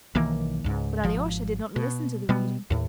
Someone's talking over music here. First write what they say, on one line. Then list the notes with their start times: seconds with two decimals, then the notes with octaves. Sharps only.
But Alyosha did not listen to the reading.
0.15 B1 D#3 E3 A#3
0.64 C#2 G#2
1.04 G#1 F3
1.76 B2
2.29 B2 G3 B3
2.70 D#2 A2